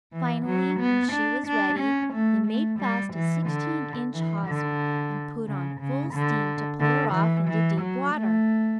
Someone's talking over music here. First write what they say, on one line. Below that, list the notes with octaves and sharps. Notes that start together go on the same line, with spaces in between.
Finally, when she was ready they made fast a sixteen-inch hawser, and put on full steam to pull her off into deep water.
E3
F#3
B3
D4
D4
C#4
A3
A3
G3
E3
D3
E3
D3
C#3
C#3
D3
D3
E3
E3
F#3
A3